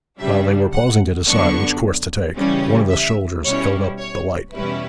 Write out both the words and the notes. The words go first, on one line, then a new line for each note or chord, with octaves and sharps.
While they were pausing to decide which course to take, one of the soldiers held up the light.
C#3 G3 D4 E5
F#5
F#2 D3 F#3 B3 D4 C#6
C#3 E3 G3 C#4
E5
B2 G3 C#4 E4 C#5
C#5
E2 B2 G3 C#4 E4 B4